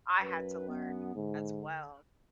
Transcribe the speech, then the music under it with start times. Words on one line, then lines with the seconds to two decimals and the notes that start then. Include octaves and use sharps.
I had to learn as well.
0.21 F#2 B4
0.68 B3
1.15 G#2 D3